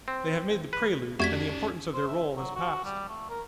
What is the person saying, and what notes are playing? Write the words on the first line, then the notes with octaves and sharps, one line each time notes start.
They have made the prelude, and the importance of their role has passed.
C4
B4
F2 A3 C#4 F#4 G4 D5 G#6 B6
C5
E5
F#3
F#4
G3
A3
A#4